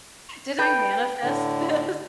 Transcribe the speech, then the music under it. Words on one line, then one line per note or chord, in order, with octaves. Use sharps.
"Did I manifest this?"
B4 G5
A2 D3